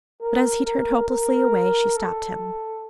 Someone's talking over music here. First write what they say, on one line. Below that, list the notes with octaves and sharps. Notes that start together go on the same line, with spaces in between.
But as he turned hopelessly away, she stopped him.
A#4
A#4
A#4
A4